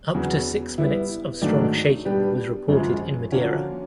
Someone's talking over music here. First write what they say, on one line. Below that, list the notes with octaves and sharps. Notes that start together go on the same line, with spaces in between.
Up to six minutes of strong shaking was reported in Madeira.
E2 C#3 F#3
G3 B3 E4
G#2 D#3 F#3 A3 D4
G3 B3 D4 G4 B4
F#2 C#3 F3 G#3
D3 F3 A#3 C#4 F#4